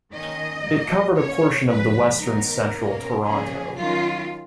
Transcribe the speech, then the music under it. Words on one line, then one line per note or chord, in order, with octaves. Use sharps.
It covered a portion of the western-central Toronto.
D#3 A#3 C#4 D#5
A#2 F#3 A#3
B2 A#3 C#4 C#5
C#3 F3 G#3 B4
D#3 F#3 B3 D#4 A#4
B2 A#3 C#4
C#3 F3 A#3 C#4 G#4
D#3 F#3 C#4 F4